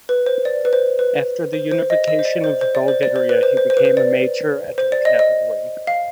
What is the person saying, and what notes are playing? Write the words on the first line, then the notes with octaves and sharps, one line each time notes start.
After the Unification of Bulgaria, he became a major at the cavalry.
B4
C5
D5
B4
C5
B4
C5
C5
D#5
D#5
C5
D5
C5
C5
D5
C5
D5
C5
B4
C5
C5
C5
B4
C5
D5
C5
D5
D#5
D#5
F5